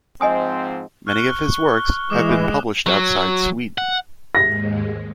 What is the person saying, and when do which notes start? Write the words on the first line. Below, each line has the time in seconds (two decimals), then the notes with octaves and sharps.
Many of his works have been published outside Sweden.
0.21 G#2 F3 C4 D#5 G#5 D#6
1.07 C#6 F6 F#6 G7
2.10 E3 G#3 D6 D#6 E7
2.86 F#3
3.78 F#5
4.35 D#2 G#2 G#3 A#6